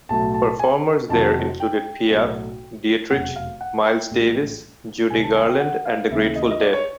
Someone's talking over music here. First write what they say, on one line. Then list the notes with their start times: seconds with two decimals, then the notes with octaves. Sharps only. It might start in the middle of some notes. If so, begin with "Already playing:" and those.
Performers there included Piaf, Dietrich, Miles Davis, Judy Garland and the Grateful Dead.
0.09 B1 A2 F#3 A3 A5
0.34 A5
0.59 G#5
1.09 F2 C3 D#3 F#3 A5
1.60 G5
2.10 B1 A2 F#3 A3
3.10 F1 E2 B2 F#3 A3 F#5
3.36 F5
3.61 F#5
3.85 G5
4.11 A#1 A2 E3 G#3
5.10 C2 C3 D#3 G#5
5.23 A5
5.36 G#5
5.48 G5
5.60 F#5
5.85 F5
6.10 D#2 C#3 E3 G#3 E5
6.36 D#5
6.51 D#5
6.61 D5
6.73 C#5